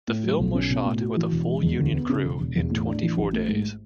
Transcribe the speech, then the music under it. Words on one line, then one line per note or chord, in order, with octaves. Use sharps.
The film was shot with a full union crew in twenty-four days.
A2
F#3
B1
C#4
B2
A2
F#4
E3
E1
G#3
E2
D2
B3
C#3
E1
E1
E2
A2
D4
E3
A1
A3
G#2